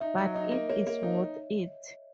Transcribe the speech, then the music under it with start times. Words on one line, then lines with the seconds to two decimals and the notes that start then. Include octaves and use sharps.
But it is worth it.
0.01 D#4 E5
0.18 F#3
0.35 D#4 D#5
0.52 A#3
0.69 A#3 C#5
0.87 A#3
1.03 D#4